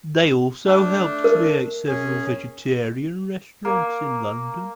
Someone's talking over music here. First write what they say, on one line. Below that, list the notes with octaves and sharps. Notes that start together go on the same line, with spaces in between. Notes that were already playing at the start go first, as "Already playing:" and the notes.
They also helped create several vegetarian restaurants in London.
A3 D4
A#4
F#2 C#4 G#4
A#3